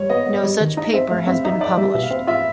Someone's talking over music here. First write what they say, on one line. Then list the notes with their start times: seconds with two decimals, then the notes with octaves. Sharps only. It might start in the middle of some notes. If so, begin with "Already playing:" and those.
No such paper has been published.
Already playing: G3 C#5
0.10 B3 D#5
0.27 B3
0.44 G3
0.61 D#3
0.77 D#4 D#5
0.94 C4 E5
1.10 A3 F5
1.27 C4 E5
1.44 D#4 E5
1.61 D#4 D5
1.77 G3 E5
1.94 B2 E5
2.03 F5
2.11 C4
2.27 F4 E5